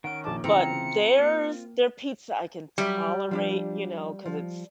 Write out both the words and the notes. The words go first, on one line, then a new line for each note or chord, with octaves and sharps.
but there's their pizza I can tolerate, you know, 'cause it's,
D#3 C#4 F#5 D7
A#1 A5 D6
C#3 E3 C4 F4 A#5 C#7
A#3 F4
F#3 G3 G4 E5
F3 D4 G4
F3